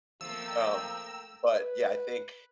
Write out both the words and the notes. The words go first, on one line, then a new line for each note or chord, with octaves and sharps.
um, but, yeah, I think,
F3 A3 A#3 C4 G5 A#5 E6
B4